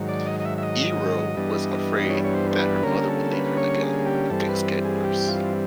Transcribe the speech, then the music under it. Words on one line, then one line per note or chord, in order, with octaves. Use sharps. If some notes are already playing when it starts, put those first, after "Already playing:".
Eero was afraid that her mother will leave him again if things get worse.
Already playing: G#2 D#3 F#3
D5
D#5
D#5
E5
E5
D#5
G2 E3 G3 B3 D4
C#5
C#5
C5
C5
B4
D3 G3 A#3 C#4 A#4
A4
B4
C#5
G#4
G4
G2 E3 G3 C4 A4
B4
G#4
G4
F4